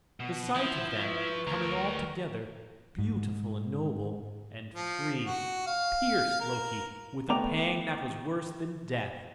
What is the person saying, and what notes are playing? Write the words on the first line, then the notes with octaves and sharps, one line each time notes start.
The sight of them coming all together--beautiful, and noble, and free--pierced Loki with a pang that was worse than death.
B2
F3 E4
B4 C#6
D2 A#4 A#5
G#2
F3
F#4
F5
A#4
A3 B3 G5 A#5 D6 F7